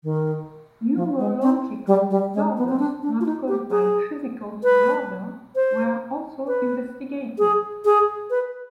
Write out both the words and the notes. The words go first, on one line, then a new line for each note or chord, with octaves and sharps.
Neurological disorders not caused by physical disorder were also investigated.
D#3
F3
G#3
C4
G3
G3
G#3
B3
C4
D4
D4
F4
D#4
G4
G#4
B4
C5
B4
G#4
G#4
B4